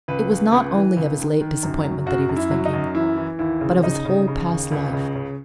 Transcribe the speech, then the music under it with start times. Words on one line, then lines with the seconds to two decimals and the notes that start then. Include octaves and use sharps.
It was not only of his late disappointment that he was thinking, but of his whole past life.
0.08 C#2 B4
0.30 C#2
0.52 C#2
0.74 E3
0.97 C#2
1.18 D#3
1.41 D#3
1.63 F#2
1.84 F#3
2.06 F#2 F#4
2.29 F#2
2.36 E4
2.51 F#3
2.65 D#4
2.73 F#2
2.95 E3 E4
3.17 E3
3.39 D#2 E4
3.61 C#3
3.83 C#3 D#4
4.05 C#3
4.28 C#3
4.49 D#2
4.71 C#2
4.93 C#3
5.15 C#3